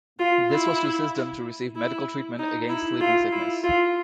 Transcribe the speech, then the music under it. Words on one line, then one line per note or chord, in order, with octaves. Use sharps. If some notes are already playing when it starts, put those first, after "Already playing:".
This was to assist them to receive medical treatment against sleeping sickness.
F4
E4
E4
D#4
E4
F4
E4
F4